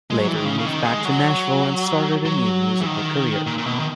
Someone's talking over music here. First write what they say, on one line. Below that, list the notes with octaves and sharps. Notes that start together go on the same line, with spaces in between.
Later he moved back to Nashville and started a new musical career.
G#3
F#3
E3
D#3
C#3
C#3
D#3
G#3
F#3
F#3
E3
D#3
A#2
A#2
B2
D#3